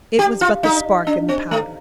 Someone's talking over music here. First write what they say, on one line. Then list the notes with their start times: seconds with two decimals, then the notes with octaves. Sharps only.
It was but the spark in the powder.
0.19 G4
0.41 F4
0.63 D#4
1.07 D4
1.29 C4
1.51 A3